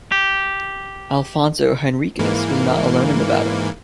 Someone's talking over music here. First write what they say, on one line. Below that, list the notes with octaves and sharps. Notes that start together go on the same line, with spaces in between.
Afonso Henriques was not alone in the battle.
G4
G#2 E3 A#3